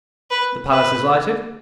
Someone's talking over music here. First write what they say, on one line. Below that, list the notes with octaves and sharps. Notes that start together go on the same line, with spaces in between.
The palace is lighted.
B4
B4